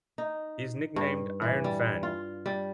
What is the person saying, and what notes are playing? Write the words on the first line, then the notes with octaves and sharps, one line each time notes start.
He is nicknamed "Iron Fan".
D#4
G2
E3
G3
F4
G3